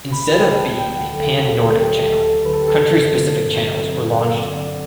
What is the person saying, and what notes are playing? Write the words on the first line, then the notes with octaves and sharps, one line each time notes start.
Instead of being a pan-Nordic channel, country specific channels were launched.
D2 B5
G5
D3 F#3 A5
D2 G5
F#5
D3 F#3 A4
G4
D2 A4
A4
D3 F#3 G4
A4
D2 A4
D3 F#3 B4
A4
G4
A4
G2
D3 F#3 C4
G2
D3 F#3 C4
G2 F#5
D3 F#3 C4
D5